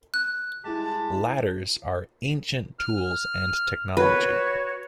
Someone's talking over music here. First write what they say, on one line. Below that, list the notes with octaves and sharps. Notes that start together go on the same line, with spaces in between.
Ladders are ancient tools and technology.
F#6
G2 G#3 E4 G4 A5
F6
F#4 B4 C#5